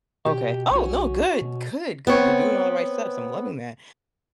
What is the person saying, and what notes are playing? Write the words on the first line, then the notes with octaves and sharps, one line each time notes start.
Okay oh! No, good, good, good, you're doing all the right stuff, so I'm loving that,
B2 G4
B1 C#4 F#4
B2
B3 C4 C#5